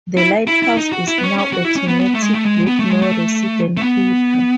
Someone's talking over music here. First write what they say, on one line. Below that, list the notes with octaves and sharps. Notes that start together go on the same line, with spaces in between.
The lighthouse is now automatic with no resident keeper.
E4
E4
E4
D#4
F#4
E4
B3
C#4
C#4
F#4
E4
C#4
B3
B3
A3
G#3
A3
G#3
B3
A3
G#3
A3
A3
B3